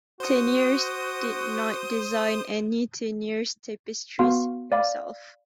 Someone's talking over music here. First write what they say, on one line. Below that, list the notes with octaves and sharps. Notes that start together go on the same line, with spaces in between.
Teniers did not design any Teniers tapestries himself.
F#4 C5 D#6
B3 F#4 F5 C6
D5 F5 B5